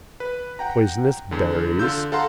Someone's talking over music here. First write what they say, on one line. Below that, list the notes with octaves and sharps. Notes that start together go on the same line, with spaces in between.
Poisonous berries.
B4
F#5 G5 A#5
E2 D3
D3 F4 E6 G6
A4 F5 F#5 A#5 C6